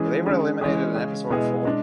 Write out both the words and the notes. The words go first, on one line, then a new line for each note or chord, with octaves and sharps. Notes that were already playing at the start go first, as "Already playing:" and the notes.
They were eliminated in episode four.
Already playing: E3 G#3 C#4 G#4
D3 G#3 C#4 G#4
E3 G#3 C#4 G#4
C#3 G#3 C#4 G#4
B2 G#3 B3 E4 G#4
G#3 D4